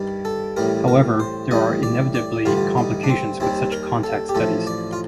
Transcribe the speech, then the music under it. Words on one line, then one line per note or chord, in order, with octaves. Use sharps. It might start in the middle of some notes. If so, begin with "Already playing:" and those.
However, there are inevitably complications with such contact studies.
Already playing: G2 D#3 G3
A4
A1 A2 G3 A#4
A#4
C5
A1 A2 G3 D#5
D5
D5
A1 G2 D3 G3 F4
D#4
D4
C4
D#2 D#3 G3 C4
A#4
A4
G4
A1 A2 F3 A4
D5
F4